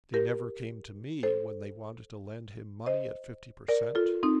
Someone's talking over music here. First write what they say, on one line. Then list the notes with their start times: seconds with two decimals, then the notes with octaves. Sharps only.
They never came to me when they wanted to lend him money at fifty per cent.
0.14 G4 A#4
1.23 A4 C5
2.86 C5 D#5
3.68 A#4 D5
3.95 F4 A4
4.23 C4 D#4